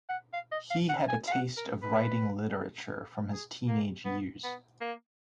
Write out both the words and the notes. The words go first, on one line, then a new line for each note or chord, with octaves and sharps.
He had a taste of writing literature from his teenage years.
F#5
F5
D#5
F5
F#5
G#5
F5
F#5
A#4
B4
G#4
A#3
B3
B3
A#3